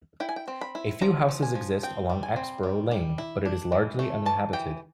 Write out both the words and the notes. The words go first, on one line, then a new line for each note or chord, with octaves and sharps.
A few houses exist along Axborough lane, but it is largely uninhabited.
E4 G5
G#5
G5
C4
B5
E4
F3 A#5
F3
G#5
F3
C4 G5
G3
G#5
C4
G3
G3
E4
D4
E3
A3
E3 A5
E3 G5